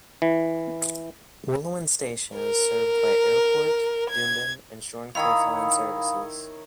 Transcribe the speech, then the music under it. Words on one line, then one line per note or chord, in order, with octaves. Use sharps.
Wooloowin station is served by Airport, Doomben and Shorncliffe line services.
E3
A#4
G#6
D#3 E4 C#5 F5 B5 D#6